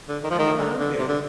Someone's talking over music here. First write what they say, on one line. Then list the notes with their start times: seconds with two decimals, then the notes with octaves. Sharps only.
I never heard that.
0.08 D3
0.24 D#3
0.30 F3
0.38 D#3
0.58 D3
0.78 D3
0.98 C3
1.08 D3